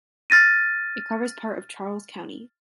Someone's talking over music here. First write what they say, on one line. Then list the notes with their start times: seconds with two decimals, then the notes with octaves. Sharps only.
It covers part of Charles County.
0.30 F6 A6 A#6 D#7